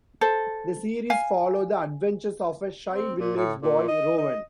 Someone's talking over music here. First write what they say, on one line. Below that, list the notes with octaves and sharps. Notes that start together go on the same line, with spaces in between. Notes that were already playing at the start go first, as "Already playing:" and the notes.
The series follow the adventures of a shy village boy, Rowan.
A4 C5
F5 G#5
C4
A#2
A2
A#2
D#5
D#5